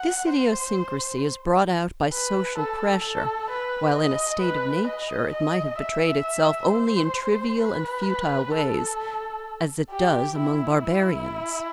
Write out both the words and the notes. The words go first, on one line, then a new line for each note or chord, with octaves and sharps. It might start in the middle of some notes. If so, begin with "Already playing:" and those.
This idiosyncrasy is brought out by social pressure, while in a state of nature it might have betrayed itself only in trivial and futile ways, as it does among barbarians.
Already playing: F#5
C5
B4
A4
A4
B4
D#5
B4
D#5
D#5
E5
C5
B4
A4
G4
E4
E4